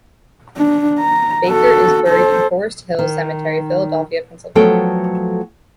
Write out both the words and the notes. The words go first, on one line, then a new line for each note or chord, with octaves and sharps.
Baker is buried in Forest Hills Cemetery, Philadelphia, Pennsylvania.
D4
A#5
F#4 A4
A4 C5
D#3
F3 F#3 A3 B3 A4 G5